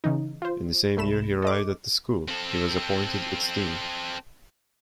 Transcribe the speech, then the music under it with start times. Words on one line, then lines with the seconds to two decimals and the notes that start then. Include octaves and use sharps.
In the same year he arrived at the School, he was appointed its dean.
0.04 C#3 E3 D#4
0.42 F4 C5
0.97 C2 A3 B5 E7
1.42 A4 D#5 D6
2.29 C4 A4